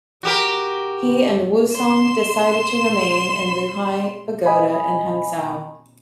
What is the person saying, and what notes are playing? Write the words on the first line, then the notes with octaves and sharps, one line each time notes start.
He and Wu Song decide to remain in Liuhe Pagoda in Hangzhou.
F#4 G4 A#4
C6 E7
D#5 G#5 B5